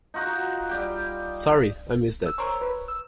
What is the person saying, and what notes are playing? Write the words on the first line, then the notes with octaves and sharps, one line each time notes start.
Sorry, I missed that.
D#4 F4 F#4 F#5
G3 G4 G5
E6
A#4 C5 C#5
B4
E6